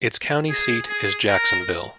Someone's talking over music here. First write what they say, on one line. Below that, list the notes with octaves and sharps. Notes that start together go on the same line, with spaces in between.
Its county seat is Jacksonville.
G#4
G#4
A#4